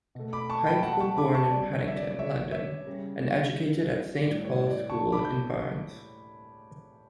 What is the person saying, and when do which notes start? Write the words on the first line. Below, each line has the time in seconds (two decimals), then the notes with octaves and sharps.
Pyke was born in Paddington, London and educated at Saint Paul's School in Barnes.
0.15 B2 A3
0.33 B5 D6
0.50 A5 C#6
0.66 G5 B5
0.83 F#5 A5
1.00 A5 C#6
1.17 B5 D6
1.34 A5 C#6
1.51 C#3 G3 D5
1.73 C#5
1.88 E5
1.97 D5
2.11 D5
2.19 C#5 E5
2.52 C#5 E5
2.87 C#3 G3
4.22 A2 G3 D5
4.45 C#5
4.67 D5
4.89 A5 C#6
5.12 B5 D6
5.25 G6